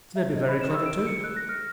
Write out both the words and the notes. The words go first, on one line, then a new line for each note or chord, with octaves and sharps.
This may be very clever too.
E5
D#5
B5
E7
E6
D7
C#7
F#6
A#6
F6